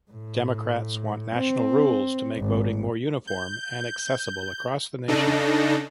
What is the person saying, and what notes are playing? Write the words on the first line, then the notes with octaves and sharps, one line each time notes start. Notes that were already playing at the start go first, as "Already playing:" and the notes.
Democrats want national rules to make voting more uniform and accessible across the nation.
A2
C4
G#1
G6
C#3 D4 D#4 A4 A#6